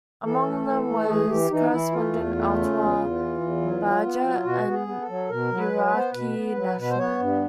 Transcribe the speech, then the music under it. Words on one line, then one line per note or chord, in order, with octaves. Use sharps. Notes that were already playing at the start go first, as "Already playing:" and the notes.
Among them was correspondent Atwar Bahjat, an Iraqi national.
E3 A4
A3
E3
A3
E3 G#4
E3 G4
E3 D#4
E3 E4
A3 F4
E2
A3
C#3
E2
E2
E3
E2
F#3
F#3
B3
F#3
B2 F#4
B3
G#4
B3
A4
F#3
B2 A#4
F#3
B4
F#3
B4
B3
C5
B2 B4
B3
F#3
B2 B4
C5
B3 C#5
G2